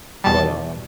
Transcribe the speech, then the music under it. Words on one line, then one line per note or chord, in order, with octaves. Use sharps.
but, um
E2 B2 G3 A5